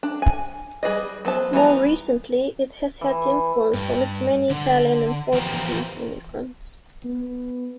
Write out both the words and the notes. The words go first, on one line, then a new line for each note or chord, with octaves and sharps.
More recently, it has had influence from its many Italian and Portuguese immigrants.
D4
G#5
G3 G#4 B4 D#5
F#3 B3 C5 A5
E3 G3 B3 A#5
E3
G2
D3
E3 F3 B3 G4 A#4 C5
B3